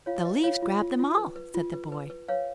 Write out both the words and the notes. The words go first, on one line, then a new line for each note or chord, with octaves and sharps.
"The leaves grabbed them all," said the boy.
F4 C#5 F5
B4 D#5
F4 C#5 F5
F4
F4
F4
B4
B4
F4
B4
B4
B4
B4 C#5 F5